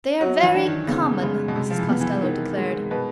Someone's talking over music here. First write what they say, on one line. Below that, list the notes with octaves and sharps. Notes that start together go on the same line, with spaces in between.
"They are very common," Mrs. Costello declared.
F#3 F#4
E3
D4
D#3
C#3 B3
C#3 G#3
B2
C3 G#3
F3
E3
B3
E3
D#3
G#3
B2 B4